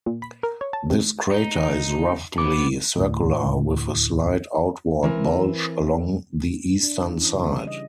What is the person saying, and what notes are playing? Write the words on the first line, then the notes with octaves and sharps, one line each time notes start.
This crater is roughly circular with a slight outward bulge along the eastern side.
A#2
B5
A#4
C#5
A5
C3
D#4
D2 B3 D6
D2 A2
E3 C4 A#4 B4
D4
E3
C#4
C#3
G3
D#5